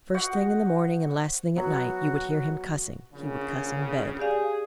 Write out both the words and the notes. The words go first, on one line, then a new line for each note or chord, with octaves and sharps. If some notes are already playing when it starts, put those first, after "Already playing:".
First thing in the morning and last thing at night, you would hear him cussing--he would cuss in bed.
F#4 C5 D#5 F#5
F#3 B3 F#4
A#1 C#3
G4 G#4 D5 F5